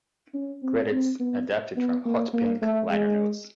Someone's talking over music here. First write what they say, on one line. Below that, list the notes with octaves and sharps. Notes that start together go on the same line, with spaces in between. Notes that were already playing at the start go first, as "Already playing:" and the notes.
Credits adapted from "Hot Pink" liner notes.
C#4
C4
C4
B3
B3
A#3
A#3
A3
G#3